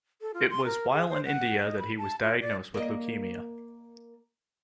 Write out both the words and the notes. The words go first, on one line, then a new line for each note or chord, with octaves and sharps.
It was while in India that he was diagnosed with leukaemia.
A4
F4
C6
A#4
G#4
C5
F#5
D#5
B5
A5
F4
D5
A#3 D#5